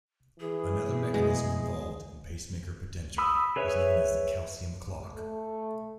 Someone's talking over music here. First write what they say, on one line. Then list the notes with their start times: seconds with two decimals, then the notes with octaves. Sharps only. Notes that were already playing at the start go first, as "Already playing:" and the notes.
Another mechanism involved in pacemaker potential is known as the calcium clock.
0.40 E3 G#4
1.14 B2 G#3 A3 B3
3.18 B5 D#6 E6
3.56 G#4 B4 C#5 E5
5.15 A3